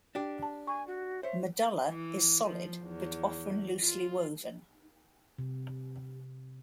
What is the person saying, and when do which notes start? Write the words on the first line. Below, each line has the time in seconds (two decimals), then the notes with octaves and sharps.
Medulla is solid, but often loosely woven.
0.15 D4 G4
0.42 A5
0.67 G#5 C#6
0.87 F#4
1.23 C5 C#5 E5
1.89 E3
2.45 F3
2.83 E2
3.79 F4
5.38 C3